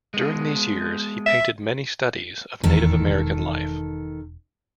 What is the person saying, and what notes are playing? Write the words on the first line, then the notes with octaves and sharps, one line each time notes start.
During these years, he painted many studies of Native American life.
G#3 B3
E5
F1 E2 D#3 A4
E1